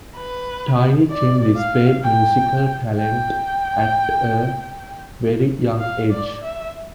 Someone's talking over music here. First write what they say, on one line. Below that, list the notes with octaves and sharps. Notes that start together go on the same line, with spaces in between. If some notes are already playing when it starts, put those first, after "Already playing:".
Tiny Tim displayed musical talent at a very young age.
B4
D5
F5
G5
G5
F5
D5
E5